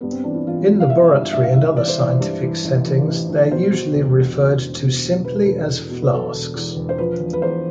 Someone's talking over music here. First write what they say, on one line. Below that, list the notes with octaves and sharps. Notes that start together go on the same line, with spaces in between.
In laboratory and other scientific settings, they are usually referred to simply as flasks.
G2 B3
C4
E3 D4
E4
A1 F4
G2
F5
E3 E5
G2
G2 E5
F5
E3 E5
E3 D5
C5
E3 D5
G2
E3
A1
E3
A1
A1
B2 C5
B2
E1
B2
B2
E1
B2
E1
E1 B4
A4
E1 B4
E2
B2
B4
B2 A4
E1
E2
E1
C5
F3 B4
E1
B4
E2 C5